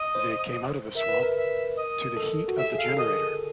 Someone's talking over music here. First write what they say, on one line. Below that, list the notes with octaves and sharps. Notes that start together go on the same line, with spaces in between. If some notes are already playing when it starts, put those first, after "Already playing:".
They came out of the swamp to the heat of the generator.
Already playing: D#5
C5
A#4 E5
B4
A#4
E5
D#5
A4
F#4
G4 E5
G#4 F5
A4
A#4 D#5